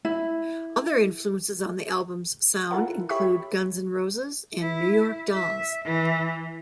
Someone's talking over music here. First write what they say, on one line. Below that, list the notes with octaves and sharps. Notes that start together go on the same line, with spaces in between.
Other influences on the album's sound include Guns N' Roses and New York Dolls.
E4
E4 F4 A4 A#4 F#5
G4 C#5 E5 B5 C#6
E4
E5
E3